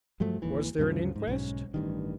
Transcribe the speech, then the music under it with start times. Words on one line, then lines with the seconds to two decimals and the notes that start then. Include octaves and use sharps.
"Was there an inquest?"
0.20 G2 F3 F#3 A3
0.42 G#1 D#2 E3
0.79 D2 G2 C#3 F3
1.16 G#2
1.28 B1 G#2 C#4
1.74 A1 G2 D#3